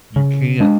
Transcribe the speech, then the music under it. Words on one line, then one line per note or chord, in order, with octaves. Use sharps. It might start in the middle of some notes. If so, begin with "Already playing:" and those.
you can't
C#3
G#3 D4